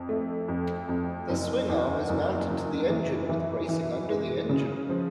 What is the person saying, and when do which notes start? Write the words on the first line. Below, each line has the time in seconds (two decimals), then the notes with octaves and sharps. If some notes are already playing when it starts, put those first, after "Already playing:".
The swingarm is mounted to the engine with bracing under the engine.
Already playing: F2
0.09 A3
0.48 F2
0.89 F2
1.29 F#1
1.69 E2
2.09 F#1
2.50 F#1
2.89 E3
3.29 E3
3.69 E3
4.09 G#3
4.50 C#3
4.89 F3